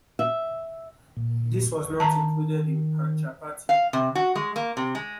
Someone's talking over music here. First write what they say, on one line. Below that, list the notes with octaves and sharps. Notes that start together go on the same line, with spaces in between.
This was not included in Panchappathi.
E5
A#2
D#3 A5 A#5
F5
C3
F#4
G#3
A#3
C3
G#3